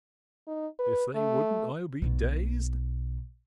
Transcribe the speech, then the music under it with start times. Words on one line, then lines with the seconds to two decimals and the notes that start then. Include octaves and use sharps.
If they wouldn't I'll be dazed!
0.48 D#4
0.79 B4
1.15 A3
2.02 B1 B2